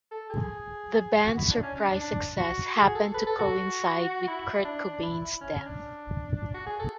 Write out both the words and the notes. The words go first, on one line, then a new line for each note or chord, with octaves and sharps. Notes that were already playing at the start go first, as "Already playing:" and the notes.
The band's surprise success happened to coincide with Kurt Cobain's death.
A4
G#4
F#4
E4
D4
C#4
D4
D4
D4
F#4
G#4
A4
B4
A4
F#4
E4
D4
D4
E4
E4
C#4
C#4
D4
F#4
G#4
A4